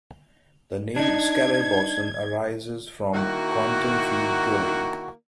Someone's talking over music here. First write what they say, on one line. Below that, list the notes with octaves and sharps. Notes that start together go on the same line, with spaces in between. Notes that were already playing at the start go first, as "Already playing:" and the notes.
The name "scalar boson" arises from quantum field theory.
D4 D#4 G#6
D#3 A#3 E4 F#4